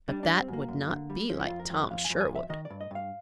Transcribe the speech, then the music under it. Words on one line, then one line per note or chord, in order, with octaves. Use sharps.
But that would not be like Tom Sherwood!
G3 D4
D4
G3
C4
F#2
A#3
F#2
D3
G3
F3 C#4
E4
F2 F4
A#4
F2 B4
F2 F5
G#5
F2
G#5
F2
E5
D#3 D#5
D5
G2
D#5
G2 F5